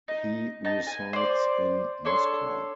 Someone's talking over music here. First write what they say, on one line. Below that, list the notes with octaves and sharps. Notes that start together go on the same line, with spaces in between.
He resides in Moscow.
D#4
D#4 A5
G#5
C5 D5
D4 A4 C#5 C6